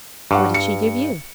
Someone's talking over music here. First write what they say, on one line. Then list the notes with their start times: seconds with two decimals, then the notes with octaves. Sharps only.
'What did she give you?'
0.31 G2 F#5 C#6 D6
0.54 C#7